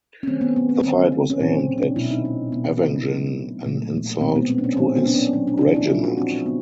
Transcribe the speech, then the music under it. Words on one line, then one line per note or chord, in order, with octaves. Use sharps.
The fight was aimed at avenging an insult to his regiment.
C#4
D#3 F#3 A3 C4
B3
B3
C4
D3 F#3 B3 C4
C4
C#4
A#2 F#3 A#3 C4
C#4
D4
B2 G#3 B3 E4
D#4
D#4
B2 G#3 B3
B2 F#3 A3
A#2 F3 A3
B2 G#3 B3 C4
B3
C4
D4
C#4
A#2 F#3 A#3 C4
B3
D4
C#4
D#3 F#3 B3 C#4
D4
D4
D#4
E4
A#2 F3 G#3 B3 F4
F#4
C4
C4
C#3 B3